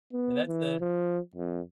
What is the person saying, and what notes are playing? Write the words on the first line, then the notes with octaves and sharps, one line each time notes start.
and that's the
B3
E3
F3
F2